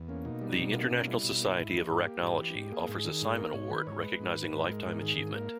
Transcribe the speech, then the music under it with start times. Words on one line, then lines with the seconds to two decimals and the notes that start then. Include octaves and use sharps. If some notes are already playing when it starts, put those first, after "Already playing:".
The International Society of Arachnology offers a Simon Award recognising lifetime achievement.
Already playing: E2
0.08 A#3 C#4
0.25 B2 D#4
0.41 G3
0.59 B2
0.74 A#3 D#4
0.91 B2 C#4
1.01 D#4
1.07 G3 E4
1.23 B2
1.40 A#3
1.57 G#2
1.73 E3 D#4
1.90 G#2 D#4
2.05 A#3 G4
2.22 G#2
2.39 E3
2.55 G#2
2.72 A#3 G#4
2.88 G#2
3.04 D#3
3.22 G#2
3.37 A#3 A#4
3.54 G#2 C#5
3.70 D#3 B4
3.87 G#2 C#5
4.03 G#3 B4
4.20 G#2
4.36 D#3
4.53 G#2
4.69 G#3 A#4
4.86 G#2
5.02 D#3 G#4
5.18 G#2
5.35 A#3 A#4